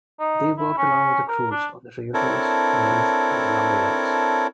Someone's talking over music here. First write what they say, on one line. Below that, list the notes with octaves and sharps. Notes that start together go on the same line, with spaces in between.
They worked along with the crews on the railroads, mills, and lumber yards.
D#4
E4
C#4
A#4
D4
C4 D4 E4 A4 A#4 C#5